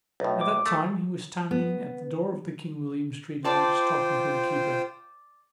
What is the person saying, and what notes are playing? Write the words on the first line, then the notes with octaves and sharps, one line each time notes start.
At that time he was standing at the door of the King William Street Lodge talking to the keeper.
B1 A2
D6
A3
B3
F4 C5 D5 G5 A5 D6